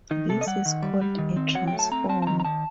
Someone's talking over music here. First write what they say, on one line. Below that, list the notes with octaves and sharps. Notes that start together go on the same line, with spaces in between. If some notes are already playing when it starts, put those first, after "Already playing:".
This is called a transformer.
D#3 D#4
C3 A4
D#5
G3 F#5
D#3
G3
G3
D#3
C4
F#3 F#5
A3 G5
A5
C4 A#5
C4 A5
A5
D#3 A#5
A#5
D#3 A5